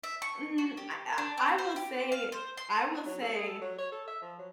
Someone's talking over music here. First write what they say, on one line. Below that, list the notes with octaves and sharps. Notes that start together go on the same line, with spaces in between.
Mm, I I I will say I will say
E5
C#6
F#4
G4
D4
C4
C5
G4
F5
C5
C6
F#3
A4
G#4
A4
F#3
C#5
A4
E5
F3
F#3